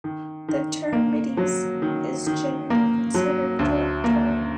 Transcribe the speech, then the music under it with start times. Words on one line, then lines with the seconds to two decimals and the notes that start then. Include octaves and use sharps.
The term "middies" is generally considered derogatory.
0.04 D#3
0.48 D#3
0.93 A#3
1.37 F#3
1.82 D#3
2.26 D#3
2.70 A#3
3.14 F#3
3.59 D2
4.04 A#3